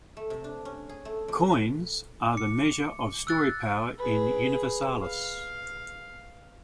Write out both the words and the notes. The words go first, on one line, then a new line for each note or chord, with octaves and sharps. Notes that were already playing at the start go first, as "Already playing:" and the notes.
"Coins" are the measure of story power in Universalis.
A3
C3
D4
C#4
G#4
A3
F2
B4
D6 C#7
E6 F#6 A6
G#4 B4
F5